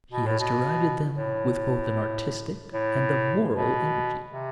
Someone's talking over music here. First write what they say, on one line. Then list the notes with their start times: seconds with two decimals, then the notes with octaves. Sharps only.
He has derided them with both an artistic and a moral energy.
0.12 B2
0.27 A2
0.40 B2
1.17 A2
2.73 A2
3.51 B2
4.30 C3